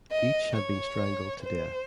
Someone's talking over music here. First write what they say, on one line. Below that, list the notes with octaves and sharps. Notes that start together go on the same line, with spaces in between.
Each had been strangled to death.
D#5
C#5
C5